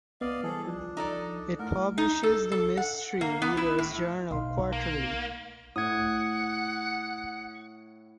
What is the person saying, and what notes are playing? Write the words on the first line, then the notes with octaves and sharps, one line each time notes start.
It publishes the "Mystery Readers Journal" quarterly.
B3 D5 D#5 F5
E3 G3 G#4 A4 C5
F3 D4
D#4 A4 D5
A3 E4 A#4
D#4
A4
A4
F#5
A#3
B3
E4
A2
B1 D#4 F5 C6
A#3
A2 F#5 D#6 G#6